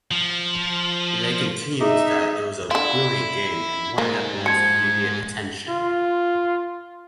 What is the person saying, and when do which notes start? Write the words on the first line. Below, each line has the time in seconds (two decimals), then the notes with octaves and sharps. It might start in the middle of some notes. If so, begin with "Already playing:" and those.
They continued that it was "a brilliant game, and one that warrants immediate attention".
0.11 F3
1.81 D#4 G#4 E5
2.71 D3 E4 F4
3.98 G#2 A#3
4.46 F3 G#6 C#7
5.69 F4